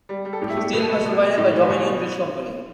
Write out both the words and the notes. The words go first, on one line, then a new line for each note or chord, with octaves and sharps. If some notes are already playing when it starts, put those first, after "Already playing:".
Steel was provided by Dominion Bridge Company.
G3
G3
A4
A2 G4
E4
A3 G4
B2 B4
A4
A3 B4
B2
G3
A2
E3
B4
B2 C#5
B2